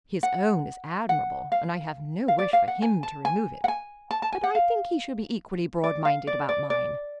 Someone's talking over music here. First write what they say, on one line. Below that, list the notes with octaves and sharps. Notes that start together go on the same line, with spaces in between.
His own is admirable, and I have no wish for him to remove it, but I think he should be equally broad-minded about mine.
F#5
F#5
F5
F5
D5
F5
F#5
G#5
A5
G#5
F#5
G#5
A5
A5
G#5
F#5
F5
D5
F5
D5
D5
D5